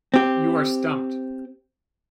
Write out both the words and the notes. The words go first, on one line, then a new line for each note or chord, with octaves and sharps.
You are stumped.
C4 G4